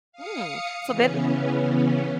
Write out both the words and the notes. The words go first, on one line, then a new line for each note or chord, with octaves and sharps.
Mm, so they th
F5 D#6 C#7
C#3 E3 B3 C#4